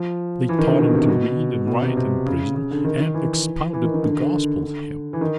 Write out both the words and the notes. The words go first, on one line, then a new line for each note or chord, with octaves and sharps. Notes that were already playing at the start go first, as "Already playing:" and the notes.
They taught him to read and write in prison, and expounded the Gospel to him.
Already playing: F3
E3
D#3
D3
B2
C3
B2
B2
C3
C3
C#3
C#3
D3
D#3
D#3
E3
E3
D#3
D#3
D3
D#3
D3
D3
E3
D#3